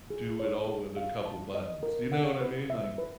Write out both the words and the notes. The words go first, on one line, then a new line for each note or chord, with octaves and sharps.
do it all with a couple buttons, you know what I mean? Like,
G#4
C#5
G#4
F5
A5
D#5
A#4
F#5
B4
E5
B4